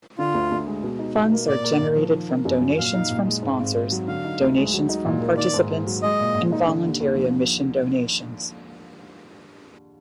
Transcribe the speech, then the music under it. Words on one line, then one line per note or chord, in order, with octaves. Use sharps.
Funds are generated from donations from sponsors, donations from participants and voluntary admission donations.
D3 F4
D2
D2
G#3
B2
D#4
B1
A#3
A#2 D5
A#3
A#1
F3
D#3
A#3
F#2
F#3
A#2 F5
D#4
A#1
G#3
G#2
G#1
G#1
F#3
D3 F5
D#4
D2
G#3
F#3
D#4
A#2
A#3
D#3 D5
G#2
G#2
F#3
G#3 D#5
A#2
A#2
D#4
D3
D#2
D#2
F3